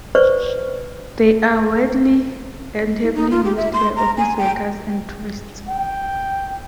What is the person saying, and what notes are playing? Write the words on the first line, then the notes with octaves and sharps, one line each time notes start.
They are widely and heavily used by office workers and tourists.
B4 C5 D5 C#6
E4
D#4
F4
G4
E5
C6
A#5
G#5
G5
G5